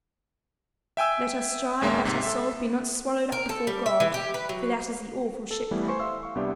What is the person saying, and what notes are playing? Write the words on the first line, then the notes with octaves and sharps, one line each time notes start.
Let us strive that our souls be not swallowed up before God, for that is the awful shipwreck.
E5 G5 G#5 E6
A#1 D#2 G#3 A#3 E5 C6
G#2 C3
A4 E5
A#4
A4
G3
E5
E3
G4
B4
F#3
A4
E3 G3 A3 B3 E4
B4 C5 G#5 C6 C#6
E5 F5 C6 E6
F5 C#6
C2 B3 D4 G4 D5 E5